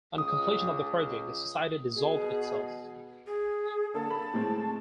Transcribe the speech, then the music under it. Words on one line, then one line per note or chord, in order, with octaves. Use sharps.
On completion of the project, the Society dissolved itself.
C#2 D#6
B2 G#4
G#4
D3 A#3 A4 A5
B5
A2 G#3 C4